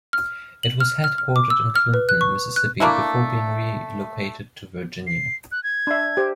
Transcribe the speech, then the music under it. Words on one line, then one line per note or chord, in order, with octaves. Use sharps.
It was headquartered in Clinton, Mississippi, before being relocated to Virginia.
F6
F#7
F6
F6
F6
D6
E6
F6
B4
F#6
C#6
F#6
A3 A#3 D4 E4
C7
F#6
G#6
D4 E5
G4 C5 G5